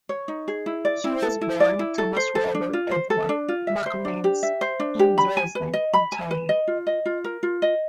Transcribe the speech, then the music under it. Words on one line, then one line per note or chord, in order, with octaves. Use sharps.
He was born Thomas Robert Edward McInnes in Dresden, Ontario.
C#5
D#4
G#4
E4
D5
E4
A4
E4
D5
E4
A4
C5
A4
D4
F4
C5
A4
D4
F4
E5
C5
D4
G4
E5
C5
D4
G4
B5
G#5
B4
D#5
B5
G#5
B4
D#5
F4
D#5
F4
A#4
F4
D#5